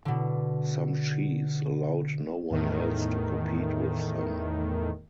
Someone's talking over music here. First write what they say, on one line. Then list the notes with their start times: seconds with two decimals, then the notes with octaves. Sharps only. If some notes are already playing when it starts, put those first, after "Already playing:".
Some chiefs allowed no one else to compete with them.
0.05 B2 D3
2.51 E2 A2 D#3